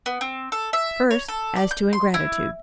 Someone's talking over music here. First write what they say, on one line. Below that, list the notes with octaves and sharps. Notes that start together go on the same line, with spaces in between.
First, as to ingratitude.
B3
C4
A4
E5
C#5
A4
D5
G6
C6
E4